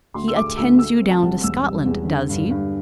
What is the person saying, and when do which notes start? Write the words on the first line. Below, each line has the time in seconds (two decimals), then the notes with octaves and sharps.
He attends you down to Scotland;--does he?
0.14 D2 C6
0.28 E6
0.36 A3 D6
0.57 D2 E6
0.79 A3 E6
1.00 C4
1.11 A5
1.22 C2
1.43 E1 E6
1.65 G3
1.86 E2
2.08 D3
2.30 G2
2.51 G2